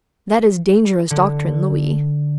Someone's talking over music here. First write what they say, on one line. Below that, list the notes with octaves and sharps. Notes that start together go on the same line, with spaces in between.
"That is dangerous doctrine, Louis."
D3